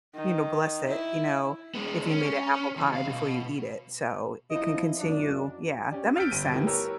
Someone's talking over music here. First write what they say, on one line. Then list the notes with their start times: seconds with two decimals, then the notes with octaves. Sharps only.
you know, bless it, you know, if you made an apple pie before you eat it, so it can continue Yeah, that makes sense.
0.15 D#3
0.87 E4
1.75 G#3 B3
2.10 C#4
2.77 E2
2.92 D2 F5
3.09 B2
4.51 F3 E4 D#5
5.00 F#2 D4 D5
5.92 C#4 G4 D5
6.17 E6 F6 G6 A6 B6 D7
6.31 G1 D#7
6.53 G3 A3 B3 E4 G4 A#4
6.67 G4 A#4 B4 C#5 A#5 E6